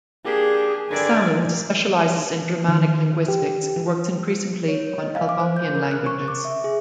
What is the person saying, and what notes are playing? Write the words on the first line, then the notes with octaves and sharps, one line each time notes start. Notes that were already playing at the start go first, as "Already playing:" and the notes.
Salmons specializes in Germanic linguistics and works increasingly on Algonquian languages.
A#3 D4 G4 G#4
G2 D3 D#3 D5 G#5
D#3
G4
C#5
D#5
F5
D6
C5
G6
A#4
F#6
C#6
D6
E5
G#4